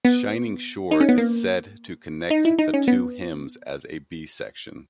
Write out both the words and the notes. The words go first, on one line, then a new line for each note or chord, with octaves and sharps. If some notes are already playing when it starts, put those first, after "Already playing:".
"Shining Shore" is said to connect the two hymns as a B section.
B3
D#4
C#4
B3
A#3
D#4
E4
D#4
C#4
B3